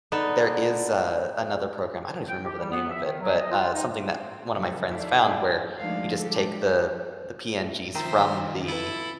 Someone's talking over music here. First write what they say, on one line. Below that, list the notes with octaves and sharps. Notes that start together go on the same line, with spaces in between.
there is a another program- I don't even remember the name of it, but, uh, something that one of my friends found where, you just take the the PNGs from the
D3 B3 D#4 A4
G5
G4
G3
B3
E5
D#3
F#3
D#5
F4
D#4
C4
C#3 F3 F#3 B3 A4
D#2 E4 A4 D5 E5 F5
D2 F3 G#3 D4 D#4 F5
G3 G#3 D4 G4 A4
D#3 F3 A#4 C5 E5 G5 A#5 C6
E4 F4 A4 B4